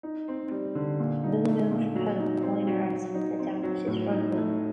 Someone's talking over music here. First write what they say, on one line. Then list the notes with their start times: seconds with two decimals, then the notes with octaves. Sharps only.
Villeneuve had a minor accident that damaged his front wing.
0.03 D#4
0.28 C4
0.51 G3
0.75 D3
1.00 A#2
1.24 D#4
1.47 A3
1.71 A#2
1.95 F#3
2.19 D#4
2.43 C4
2.67 F#3
2.91 F#3
3.14 D#4
3.39 C4
3.63 F#3
3.87 A2
4.11 D#4
4.35 A3